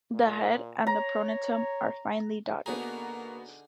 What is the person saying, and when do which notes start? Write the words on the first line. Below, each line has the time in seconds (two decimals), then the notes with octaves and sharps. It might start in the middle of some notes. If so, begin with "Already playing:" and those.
The head and the pronotum are finely dotted.
0.14 A#2
0.87 C#5 A#5
2.66 D3 A#3 B3 D#4 F#4 G#4 A#5